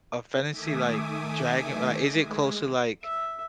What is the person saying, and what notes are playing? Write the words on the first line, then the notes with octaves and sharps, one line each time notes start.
a fantasy, like, dragon or, like, is it close to, like,
D#3 A3 E5 G#5 D6 D#6
G#3
E5